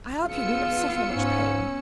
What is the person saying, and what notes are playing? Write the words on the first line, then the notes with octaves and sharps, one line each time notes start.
"I hope you do not suffer much pain!"
B3 F4 G#4 E6 C#7
G#2 C#4